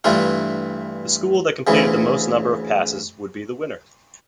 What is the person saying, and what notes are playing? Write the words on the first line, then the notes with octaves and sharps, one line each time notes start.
The school that completed the most number of passes would be the winner.
G2 E3 A3 D4 F4
D2 C#3 E3